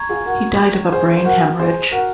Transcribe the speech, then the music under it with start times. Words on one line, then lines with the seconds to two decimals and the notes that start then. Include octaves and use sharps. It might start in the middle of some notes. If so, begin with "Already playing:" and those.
He died of a brain hemorrhage.
Already playing: A#5 C#6 G#6
0.09 F4 G#4
0.26 F#4 A#4
0.92 G#4 C5
1.17 C5
1.25 F#4 A#4
1.59 G#4 C5
1.92 F#4 A#4